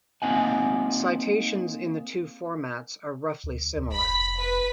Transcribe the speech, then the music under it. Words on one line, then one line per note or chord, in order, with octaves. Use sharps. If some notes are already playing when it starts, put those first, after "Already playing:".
Citations in the two formats are roughly similar.
A#3 C4 D#4 F#5 G#5
D2
F1 B5 B6
B4 B6